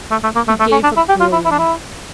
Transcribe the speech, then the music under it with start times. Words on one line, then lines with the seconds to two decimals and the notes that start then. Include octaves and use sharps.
He gave a groan.
0.11 A3
0.23 A3
0.36 A#3
0.48 A3
0.59 A3
0.72 C#4
0.83 D4
0.97 E4
1.09 G4
1.20 F4
1.32 E4
1.45 E4
1.51 D4
1.59 E4